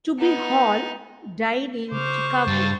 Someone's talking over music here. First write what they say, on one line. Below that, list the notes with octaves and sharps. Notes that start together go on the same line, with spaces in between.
Tubby Hall died in Chicago.
B3 D#4
C#3 C5 C#6 D6 F6
G2 A6